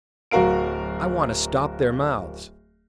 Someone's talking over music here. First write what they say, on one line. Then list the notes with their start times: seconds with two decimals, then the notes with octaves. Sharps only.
"I want to stop their mouths."
0.31 D1 F#3 F#4 A#4 F5 D7